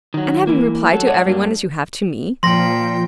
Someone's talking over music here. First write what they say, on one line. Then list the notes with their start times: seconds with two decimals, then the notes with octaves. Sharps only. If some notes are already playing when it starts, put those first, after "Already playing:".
"And have you replied to every one as you have to me?"
0.14 D#3 F#3
0.47 E3 A#3
0.92 F#3 A4
1.07 G#2 D4 C#5 F#5
1.25 G2 G3 A#3 D4
2.43 A#2 F3 G5 C6 A#6